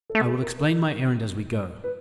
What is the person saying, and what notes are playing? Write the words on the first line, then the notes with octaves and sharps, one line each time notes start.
I will explain my errand as we go.
A4
A3
G#4
A#4
A#4
B4